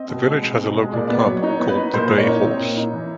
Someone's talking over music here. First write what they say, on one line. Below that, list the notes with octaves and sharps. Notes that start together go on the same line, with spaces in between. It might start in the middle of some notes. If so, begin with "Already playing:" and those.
The village has a local pub called the Bay Horse.
Already playing: C4 D#5
B2
G#3
C4
B2
G#3
A#2 D5
B3 D5
C#5
F#3
D#4 C#5
B3
B4
D#4
A#2 C5
A#2
C#5
D#4
C4
A#2
D#4
E3